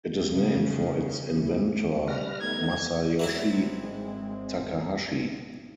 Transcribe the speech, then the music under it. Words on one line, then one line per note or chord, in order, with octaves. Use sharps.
It is named for its inventor, Masayoshi Takahashi.
C#3 G3 B3 A4
A#3 D4 E4
G3 B4 F6 A#6
A3 B3 D#4 G#6
G#1 E3 F#3 G#3 C4 E4